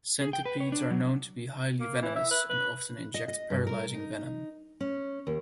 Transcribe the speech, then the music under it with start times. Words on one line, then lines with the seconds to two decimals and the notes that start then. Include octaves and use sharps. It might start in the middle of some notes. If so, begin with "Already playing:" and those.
Centipedes are known to be highly venomous, and often inject paralyzing venom.
0.21 G#4
0.33 G5
0.45 B4
0.60 C#5
0.72 D4
0.91 F#3
1.80 A#3
2.02 E3
2.16 E5
2.31 B4
2.49 B4
3.14 D#5
3.28 D#5
3.50 G2
3.67 A#4
3.94 D#4
4.80 C#4
5.27 D#2